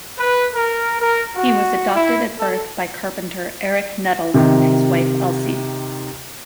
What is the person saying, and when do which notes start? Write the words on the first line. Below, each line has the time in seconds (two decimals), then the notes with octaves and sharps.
He was adopted at birth by carpenter Eric Nettles and his wife Elsie.
0.19 B4
0.54 A#4
1.01 A#4
1.35 F#4
1.95 E4
2.38 A4
4.34 C3 D#3